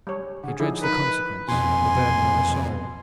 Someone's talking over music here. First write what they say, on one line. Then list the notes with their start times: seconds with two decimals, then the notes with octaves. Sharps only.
He dreads the consequence--the burden of a soul.
0.07 G3 C#5
0.44 D3 G#4 F#5
0.60 F3 D#4 E4 G#4
0.83 A#4 B4
1.48 F2 B2 G#5 C6